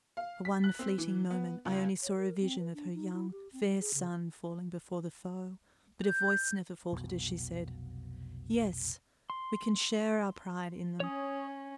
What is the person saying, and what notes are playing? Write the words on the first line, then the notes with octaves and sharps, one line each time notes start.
For one fleeting moment Ione saw a vision of her young, fair son falling before the foe, but her voice never faltered as she said: "Yes, we can share our pride in them."
F5
B6
F#6
C4
E3
B3
C#2
C#5
A#4
C4
B4
D4
D#4
E4
G4
C4
G3
G#4
C#3
G6
F1 B1 B2
C6
C#4 C#5 D#6